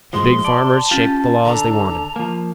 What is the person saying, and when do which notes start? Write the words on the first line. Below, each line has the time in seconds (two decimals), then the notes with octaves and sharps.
The big farmers shaped the laws they wanted.
0.13 F3 G#3 C6
0.45 D5 A5
0.91 C#4 F4 G4
1.45 D3 A#5
2.16 F3 A#3